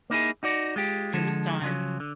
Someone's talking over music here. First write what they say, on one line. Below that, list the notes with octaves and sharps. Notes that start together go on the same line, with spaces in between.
it was time.
A#3 D#4 E4 G#4
D#4 F#4 D5
G#3 F4 G4
D3 F3 G#3 A4
C#3 F3 F#3
D3